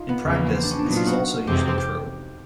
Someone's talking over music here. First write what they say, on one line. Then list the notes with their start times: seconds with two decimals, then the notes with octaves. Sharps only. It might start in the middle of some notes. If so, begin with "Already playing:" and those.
In practice, this is also usually true.
Already playing: D#4 F4
0.09 B3
0.24 E2 C#3 F3 A#3
0.55 C4
0.63 D4
0.71 C#4
0.79 D4
0.86 A#2 F#3 B3 D#4
0.96 F4
1.07 F#4
1.46 F2 C3 E3 G#3 C4 G4
1.57 G4
1.68 G4
1.78 G4